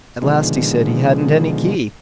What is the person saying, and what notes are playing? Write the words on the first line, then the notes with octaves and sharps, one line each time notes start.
At last he said he hadn't any key.
B2 D3 D#3 F3 G#3